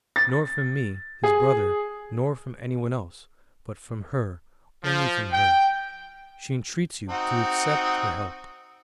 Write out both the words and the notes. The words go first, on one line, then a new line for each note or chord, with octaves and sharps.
Nor from me, his brother, nor from any one else, but from her, only from her! She entreats you to accept her help....
A6
G#4
F3
G5
C4 D#4 F#4